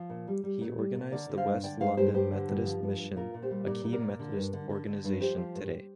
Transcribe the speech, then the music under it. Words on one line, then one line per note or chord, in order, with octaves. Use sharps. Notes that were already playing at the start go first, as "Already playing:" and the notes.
He organised the West London Methodist Mission, a key Methodist organisation today.
Already playing: F3
A#2
G3
G3
A#2
G3
A#2
D3 A#4 D5
D3
C5 F5
G2
D3 D5 G5
G2 C5 F5
G2 G4 C5
G2 G4 C5
D3
G2
F3
G2
G2
A#2 F4 A#4
A#2
G4 C5
G3
A#2 A#4 D5
A#2
A#4 D5
A#2
D3
G2
D3
D3
D3
G2
F3 G4 C5
F3
G2